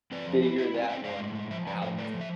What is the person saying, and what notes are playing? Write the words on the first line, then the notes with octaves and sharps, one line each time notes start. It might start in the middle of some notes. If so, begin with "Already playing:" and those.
figure that one out.
C4 B4 D5
F3
E4
E4 C5 E5
C4
C4 E5 G#5
G#3 D5 F5
A2
G#3
F3 C5 E5
F3 B4 D5
A2 A4 C5
A3 B4 D5
F3
E5